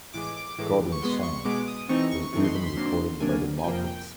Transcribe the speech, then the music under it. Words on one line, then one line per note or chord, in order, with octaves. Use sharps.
"Garden Song" was even recorded by the Muppets.
A2 E3 G#3 D6
A2 E3 G#3
C#6
B2 G#3 B3 C6
C#6
B2 G#3 B3 D6
D#6
C3 E3 A3 C4 D#4 C#6
C#6
C3 E3 A3 C4 D#4 C#6
C6
B5
C6
C3 D#3 F#3 A#3 D4
C3 D#3 F#3 A#3 D4 G#5
G#5
F2 C3 F3 A#3 G5
G5